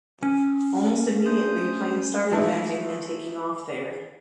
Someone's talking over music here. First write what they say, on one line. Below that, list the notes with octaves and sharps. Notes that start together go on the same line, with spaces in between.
Almost immediately, planes started landing and taking off there.
C#4
A3 D4 C5 D#6
E3 G#3 A3 D#4 E4